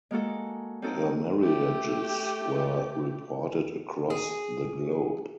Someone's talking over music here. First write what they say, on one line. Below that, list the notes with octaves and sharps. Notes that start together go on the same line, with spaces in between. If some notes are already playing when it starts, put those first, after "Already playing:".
Her marriages were reported across the globe.
G#3 A#3 F#4 A4
C4 C#4 D#4 F#4 A4
A3 G4
G#4